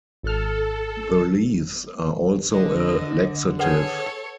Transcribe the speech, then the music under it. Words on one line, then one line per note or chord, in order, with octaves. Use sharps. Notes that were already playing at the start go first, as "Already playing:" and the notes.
The leaves are also a laxative.
G#1 A4 F6
D3 D#5
G#4 A4 B4 C#5 F#5